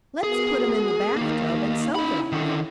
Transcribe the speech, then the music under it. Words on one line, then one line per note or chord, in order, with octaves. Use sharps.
"Let's put him in the bath tub and soak it off."
B3 F#4 G#4 A#4
D#3 A#3 D#4 F5
C#4 D#4 E4 B5
D3 D#3